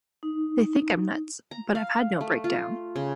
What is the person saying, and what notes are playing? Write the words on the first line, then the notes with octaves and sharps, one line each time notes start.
They think I'm nuts, but I've had no breakdown.
D#4
A#5
F5
A3
F4
C#3